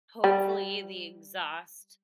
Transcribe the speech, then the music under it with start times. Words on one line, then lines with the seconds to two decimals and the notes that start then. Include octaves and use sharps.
hopefully, the exhaust
0.24 G3